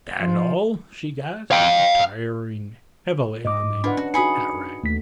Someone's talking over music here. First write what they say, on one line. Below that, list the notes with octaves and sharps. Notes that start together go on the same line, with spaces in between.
"Dan'el!" she gasped, retiring heavily on the hat-rack.
F3
F5 G5
G#2 D#5 D6
D4 E4 F4 B4 F#5
C#4 F#4
D#4 F#4 G#4 B5 D#6 C#7
D#2 A3 B6